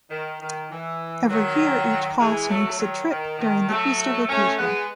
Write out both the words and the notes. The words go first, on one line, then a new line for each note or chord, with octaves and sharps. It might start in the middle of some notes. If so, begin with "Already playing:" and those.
Every year each class makes a trip during the Easter vacation.
D#3
D#3
E3
D#3 F#3
E3 G#3
F#3 A3
D#3 F#3
D#3
D#3
F#3 A3
A3 C#4
G#3 B3